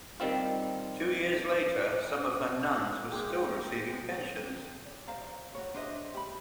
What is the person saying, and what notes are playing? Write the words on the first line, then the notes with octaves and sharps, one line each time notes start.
Two years later some of her nuns were still receiving pensions.
D#3 G3 C4 F4
G#3 A#3 E4 G#4 G5 D6 G6
C5 D5 F5 A#5
F#4 C#5
D4 C5 D#5 E5
G4 B5